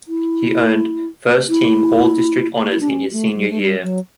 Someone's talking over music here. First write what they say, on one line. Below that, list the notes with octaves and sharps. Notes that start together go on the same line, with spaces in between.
He earned first-team All-District honors in his senior year.
E4
E4
E4
D4
C#4
A3
G3
A3
G3
F#3